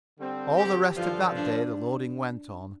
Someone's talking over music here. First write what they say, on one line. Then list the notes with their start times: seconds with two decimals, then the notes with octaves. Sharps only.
All the rest of that day the loading went on.
0.19 D3 G3 C4
0.57 G4
0.96 G2 D3 F3 F4
1.36 D4